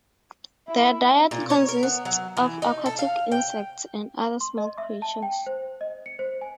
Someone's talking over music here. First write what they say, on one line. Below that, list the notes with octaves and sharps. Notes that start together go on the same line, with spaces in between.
Their diet consists of aquatic insects and other small creatures.
E4 E5
A#2
C#5
A#4
B3
F#3
E3
D#4
A4
F5
G5
C6
D#5
E5
A5
G5
C5
D#5
C#7
C5
G#5